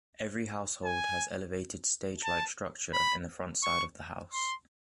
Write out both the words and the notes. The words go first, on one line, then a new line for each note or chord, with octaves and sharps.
Every household has elevated stage like structure in the front side of the house.
G#5
A5
B5
C#6
C6